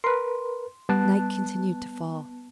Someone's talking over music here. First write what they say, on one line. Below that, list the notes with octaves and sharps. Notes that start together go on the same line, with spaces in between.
Night continued to fall.
A#4 B4 C6
G3 B3 A5 F#6